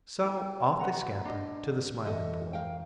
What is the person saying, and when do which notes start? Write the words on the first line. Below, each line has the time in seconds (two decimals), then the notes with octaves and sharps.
So off they scampered to the Smiling Pool.
0.25 E4 G5
0.79 B4 F#5 A#5
1.25 D4 D#5
2.05 F2 E3 A4 D#5 E5
2.53 A#4 F5 G5